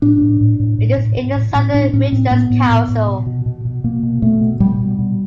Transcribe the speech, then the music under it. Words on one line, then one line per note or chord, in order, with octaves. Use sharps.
It is in the Southern Midlands Council.
A2 D4
A2
A2
A2
A2
A2
A2
A2
A2 C#4
A2 D4
A2 C#4
A2 C4
A2 B3
A2
A2
A2
B2
B2
B2
B2
B2 A#3
B2
B2 A3
B2
B2 G3
B2
B2